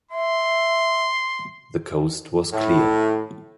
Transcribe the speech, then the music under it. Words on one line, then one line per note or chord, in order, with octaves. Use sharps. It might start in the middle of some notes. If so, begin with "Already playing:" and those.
The coast was clear.
E5 C6
A2